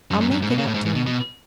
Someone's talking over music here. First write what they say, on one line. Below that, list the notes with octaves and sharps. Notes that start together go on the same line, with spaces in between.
I'll make it up to him.
F#2
F#2
F#2
G#2
B2
C#3
A2
G#2
G#2
B2
B2